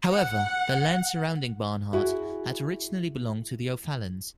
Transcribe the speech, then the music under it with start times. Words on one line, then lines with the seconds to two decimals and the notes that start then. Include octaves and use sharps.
However, the land surrounding Barnhart had originally belonged to the O'Fallons.
0.13 F#5
1.93 E4 F#4 G#4